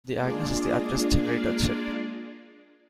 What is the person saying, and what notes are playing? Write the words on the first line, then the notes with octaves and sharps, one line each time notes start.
The Agnus is the Address Generator Chip.
G#3 A#3 D4 F4 G#4 D5